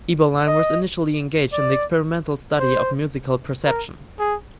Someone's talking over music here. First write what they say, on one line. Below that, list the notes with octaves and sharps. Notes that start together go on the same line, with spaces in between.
Eberlein was initially engaged in the experimental study of musical perception.
D#5
D5
C5
A#4
G#4